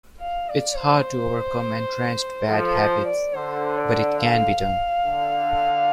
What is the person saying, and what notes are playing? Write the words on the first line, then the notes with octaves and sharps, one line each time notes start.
It's hard to overcome entrenched bad habits, but it can be done.
F5
D5
C5
F3 A4
C5
D5
D3 C5
D5
F5
F5
D3